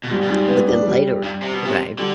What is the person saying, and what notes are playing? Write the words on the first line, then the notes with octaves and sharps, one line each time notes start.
But then later, okay,
B2
G#2 G3
B2
G#2 G3
B3
D4
G3
G2
C3
B2
C3
D3 G3